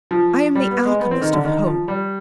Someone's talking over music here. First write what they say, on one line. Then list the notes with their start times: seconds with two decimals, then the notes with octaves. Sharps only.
I am the alchemist of hope.
0.11 F3
0.55 G3
0.71 B3
0.85 G#3
1.00 B3
1.11 C4
1.21 D#3
1.33 D3
1.45 D#3
1.66 F3
1.88 G3